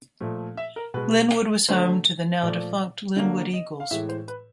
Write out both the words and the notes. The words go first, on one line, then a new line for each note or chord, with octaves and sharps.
Lynnwood was home to the now defunct Lynnwood Eagles.
A#2 F3 A3
E5
A#4
B2 G#3 B4
D3 F#3 A3 C5
A#2 F3 A3 D5
D3 F#3 A#3
D#5
F5
A2 E3 G#3 E5
C5
B4